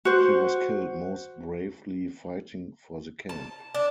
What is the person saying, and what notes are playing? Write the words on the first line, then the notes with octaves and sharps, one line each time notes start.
He was killed most bravely fighting for the camp.
F#4 C5
A5
D4